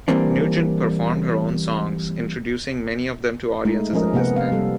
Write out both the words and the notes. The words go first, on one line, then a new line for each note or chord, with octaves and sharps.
Nugent performed her own songs, introducing many of them to audiences in this manner.
E3 G3 A#3 C4 D4
G#3 A3 D#4
F3 G#3 C#4 A#4 D#5
C3 A#3 B3 F#5
F5
G3 A4